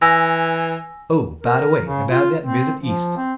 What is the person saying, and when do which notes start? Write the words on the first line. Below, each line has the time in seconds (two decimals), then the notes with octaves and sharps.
Oh, by the way--about that visit East.
0.02 E3 G#5 E6 A#6
1.43 A#4
1.85 C#3
2.09 F4
2.43 C4
2.81 F3
3.17 C4